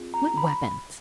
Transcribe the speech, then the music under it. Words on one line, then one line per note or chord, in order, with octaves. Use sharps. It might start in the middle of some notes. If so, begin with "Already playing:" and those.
"What weapons?"
Already playing: C4 F4 G#4
A#5
B5